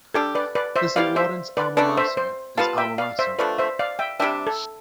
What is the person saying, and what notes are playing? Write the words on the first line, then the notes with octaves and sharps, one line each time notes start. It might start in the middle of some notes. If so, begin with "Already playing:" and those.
The Saint Lawrence Alma Mater is Alma Mater.
G3 D4 G4 A4
B4 D5
B4 D5
C5 E5
G3 B3 E4 G4 D5 F5
C5 E5
B4 D5
D3 A3 D4 B4 D5
C5 E5
C5
G3 B3 F4 B4 F5 A5
E5 G5
D5 F5
C5 E5
D3 F3 A3 B4 D5
C5 E5
D5 F5
E5 G5
C3 G3 D4 E5 G5
A4